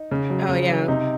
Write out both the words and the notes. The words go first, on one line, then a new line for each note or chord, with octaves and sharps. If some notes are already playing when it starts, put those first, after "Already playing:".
Oh, yeah.
Already playing: D#4
C#3
F#3
C#3
F#3
C3 D#4